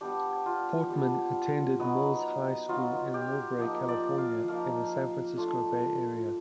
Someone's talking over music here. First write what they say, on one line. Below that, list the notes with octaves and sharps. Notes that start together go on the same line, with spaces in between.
Portman attended Mills High School in Millbrae, California in the San Francisco Bay Area.
G3 B3 D4 G4
F4
G3 B3 D4
F#3 B3 D#4
F#3 B3 D#4 F4
G4
F3 A#3 D#4
D5
F5
F3 A#3 D#4 F5
A3 D4 F4